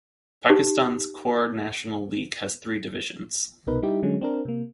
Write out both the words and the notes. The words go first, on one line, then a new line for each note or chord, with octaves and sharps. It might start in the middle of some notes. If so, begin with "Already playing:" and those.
Pakistan's core national league has three divisions.
D#4 G4
C2 B2 D#4 A#4 B4
G3 D#4 E4 G4
D3 F#3 G#3 C#4
C4 D4 A#4
C3 A#3